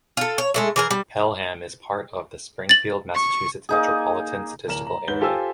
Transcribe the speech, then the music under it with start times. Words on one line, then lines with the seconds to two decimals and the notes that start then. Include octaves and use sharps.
Pelham is part of the Springfield, Massachusetts Metropolitan Statistical Area.
0.17 F4 A4
0.38 C#5
0.54 G#3 A3 E4
0.76 E3 G#4 A#4
0.91 G3
2.69 A6 F#7
3.15 C#6
3.69 A#3 D#4 G#4
4.68 D1 A#4 E7 F#7
4.87 A#5
5.08 G#2 B4 G6 G7
5.21 F4 G4 A4 C5 G#5 E6